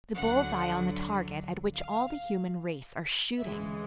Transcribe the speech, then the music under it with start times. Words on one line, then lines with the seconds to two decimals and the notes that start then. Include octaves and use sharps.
The bull's-eye on the target at which all the human race are shooting.
0.17 D2 D3 F#3 F#5
1.77 F5
3.38 D2 C#3 E3 G#3 E5